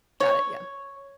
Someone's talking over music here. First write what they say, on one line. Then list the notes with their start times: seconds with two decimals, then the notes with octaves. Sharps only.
Got it, yeah.
0.20 C#5